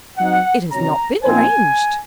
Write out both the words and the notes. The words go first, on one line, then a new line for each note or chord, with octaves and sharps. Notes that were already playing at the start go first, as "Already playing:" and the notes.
"It has not been arranged."
F#3 C4 D#4 F#5
C3 D#3 F#3 C#4 A#5
A#2 F3 C4 D#4 G#5